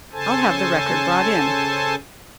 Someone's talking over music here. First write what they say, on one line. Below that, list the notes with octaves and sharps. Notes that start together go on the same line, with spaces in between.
"I'll have the record brought in."
C#3 A4 C5 G#5 A5